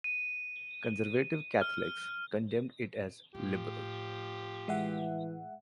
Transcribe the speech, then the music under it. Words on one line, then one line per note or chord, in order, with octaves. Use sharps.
Conservative Catholics condemned it as "liberal".
D#7
F6
A2 F3 G4
E3 G#3 E5 F#5